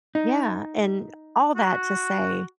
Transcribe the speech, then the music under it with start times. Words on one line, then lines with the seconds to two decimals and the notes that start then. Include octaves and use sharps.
Yeah, and all that to say
0.15 D#4
1.56 F#4